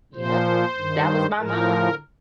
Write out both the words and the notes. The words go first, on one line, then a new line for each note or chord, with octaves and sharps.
Yep, that was my mom.
A#2 F3 C5
G2 D#3
A2 F3 A#4